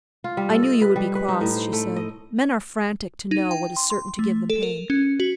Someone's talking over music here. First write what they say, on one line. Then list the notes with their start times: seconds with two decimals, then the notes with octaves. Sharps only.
"I knew you would be cross," she said; "men are frantic to know what is certain to give them pain."
0.24 F4
0.37 G3
0.50 A4
0.63 D#5
0.81 B4
0.96 G3
1.15 B4
1.28 D#4
1.41 A2
1.57 C5
1.73 A3
1.96 D#5
3.31 D#4
3.51 G5
3.77 C6
3.90 C6
4.19 A3
4.50 A4
4.63 A#4
4.90 C#4
5.20 F#4